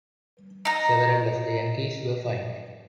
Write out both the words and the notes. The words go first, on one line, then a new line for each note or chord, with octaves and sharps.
Several of the Yankees were fined.
D#4 A#5